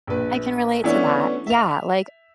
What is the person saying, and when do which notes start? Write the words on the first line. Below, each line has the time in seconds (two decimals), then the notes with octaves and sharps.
I can relate to that. Yeah, like,
0.07 A#1 B4
0.84 E3 A3 B3 C#4 D4 E4
1.47 E5 F7